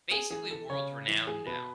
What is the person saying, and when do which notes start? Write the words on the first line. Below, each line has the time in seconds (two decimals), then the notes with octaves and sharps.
basically world-renowned now
0.11 G#4
0.30 E3 G#4
0.51 A4
0.70 C#3 C#5
1.08 E3
1.27 G#4
1.46 B2 B4